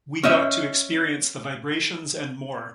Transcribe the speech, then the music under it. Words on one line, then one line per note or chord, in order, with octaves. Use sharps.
We got to experience the vibrations and more.
C#4 D#5 E5